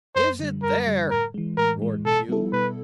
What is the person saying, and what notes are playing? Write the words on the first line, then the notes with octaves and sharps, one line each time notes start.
"Is it there?" roared Pew.
F#2 C5
D3 G3
F#2 A#4
D3 G3
A2 A#4
E3 G#3
A2 A#4
E3 G#3
B2 A4
G3 B3 E4 A4
B2 B4